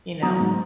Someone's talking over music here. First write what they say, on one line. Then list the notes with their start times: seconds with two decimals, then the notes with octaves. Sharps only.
you know,
0.22 F#3 A#5 D#6
0.40 G#2